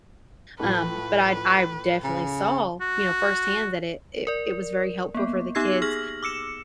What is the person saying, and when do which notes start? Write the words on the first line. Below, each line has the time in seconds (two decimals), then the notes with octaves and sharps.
um, but I'd I definitely saw, you know, firsthand that it it it was very helpful for the kids,
0.60 A2 F3 B4
2.04 C#3
2.81 F#4
4.27 A#4 D5
5.15 A#3 B3
5.55 B3 D#4 G4 E6 G#6 C7
5.82 G#4 F6 A#6 F#7
6.23 D6 E6 C#7 E7